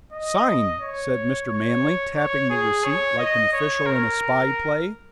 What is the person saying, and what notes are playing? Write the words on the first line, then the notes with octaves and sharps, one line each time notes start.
"Sign!" said Mr. Manley, tapping the receipt like an official in a spy play.
D#5
C#5
C#5
C#5
G#4
C#5
D#5
C#5
A#4